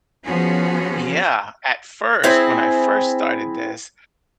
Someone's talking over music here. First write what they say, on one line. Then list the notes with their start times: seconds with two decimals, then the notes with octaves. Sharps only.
Yeah. At first, when I first started this,
0.24 F3 B3 C#4 F#4 G#4
2.23 C4 E4 G#4